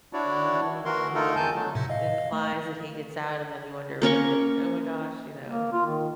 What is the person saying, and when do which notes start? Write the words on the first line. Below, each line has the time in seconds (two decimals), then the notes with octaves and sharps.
Oh. It implies that he gets out, and then you wonder, "What what th oh my gosh," you know?
0.13 D4 E4 F#4 C#5 D5
0.85 E3 F#4 A#4 C6
1.15 D3 A3 D#4 F4 A4 A#4
1.36 E2 D#3 G#5 A5 G6
1.55 D3 F#3 A3
1.75 A2 C3
1.90 D#5 F5
2.32 A3
4.02 A#3 C#4 A#4 C#6
5.50 A#3
5.73 F4
5.87 D#3